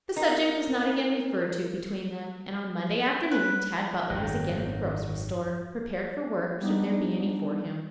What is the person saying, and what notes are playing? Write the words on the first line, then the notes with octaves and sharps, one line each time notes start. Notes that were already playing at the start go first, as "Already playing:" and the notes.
The subject was not again referred to between them, and on Monday afternoon Tad Butler was again at the grocery store, prepared for work should there be any for him.
D#4 A#4
B4
G#1 F#2 D#3 F#3 G5 F#6 A#6
G3 B3 D4 D#4